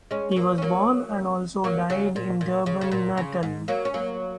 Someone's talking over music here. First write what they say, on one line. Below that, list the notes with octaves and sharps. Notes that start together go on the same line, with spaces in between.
He was born and also died in Durban, Natal.
G#3 C#4
C#4
F#3 A#3
C#4
F#3 A#3
F#3 A#3
C#3 F#3
A#2
A#2
C#3
C#3
A#2
C#3
G#2
F#3 A#3
C#4
F#3 A#3